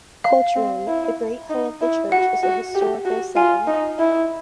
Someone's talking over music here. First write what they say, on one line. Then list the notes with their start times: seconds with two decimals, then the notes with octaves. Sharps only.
Culturally, the great hill of the church is a historical setting.
0.24 F5
0.56 C4
0.88 E4
1.50 D#4
1.81 E4
2.12 F#4 F#5
2.43 F#4
2.75 G4
3.05 F#4
3.36 F4 G#5
3.67 D#4
3.99 E4